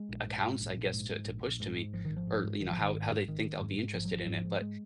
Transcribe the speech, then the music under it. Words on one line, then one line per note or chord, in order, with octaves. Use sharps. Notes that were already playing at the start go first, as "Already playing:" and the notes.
accounts, I guess, to to push to me, or, you know, how how they think I'll be interested in it. But
Already playing: G#3
A#1
G#2
G#2
A#1
A#1
G#2
G#2
A#1
A#1
G#2
G#2
G#1 F3
D#3
G#1
F3
G#2
G#2
G#1 D#3
F3
G#1 D#3
G#2
G#2
G#1 D#3
G#1
G#2
G#2
G#1 F3
F#3
G#1 F3
G#2 F#3
F3
G#2
G#3